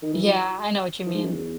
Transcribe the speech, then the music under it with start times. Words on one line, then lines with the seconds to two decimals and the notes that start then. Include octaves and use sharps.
Yeah, I know what you mean,
0.03 D#3
0.14 E3
0.26 F#3
1.07 E3
1.14 G#2
1.24 F#2
1.32 E2